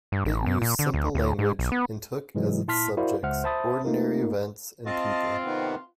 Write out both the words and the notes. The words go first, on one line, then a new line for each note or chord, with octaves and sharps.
It used simple language and took as its subjects ordinary events and people.
G2
A1
F#2
A#2
D3
D2
D2
G#2
B1
B3
G#2 C3 E3 F#3 G#3
A#2 E4 A5 C6 F6 B6
E4 F#4 A#4 C5 D5 F5
C#2 C5 E5 F#5 F6
C5 E5 A5 B5 D#6 A6
A3 A#3 D#4 F4 A#4
C4 F4 D#5 A5
C3 D#3 B3